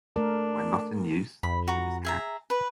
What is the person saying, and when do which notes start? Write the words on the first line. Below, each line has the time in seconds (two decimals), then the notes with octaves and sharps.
When not in use, the tube is capped.
0.16 A3 D4 A#4
1.43 F2 B5
1.68 F#4 A#5
2.05 G#4 E5 A#5
2.50 B4 B5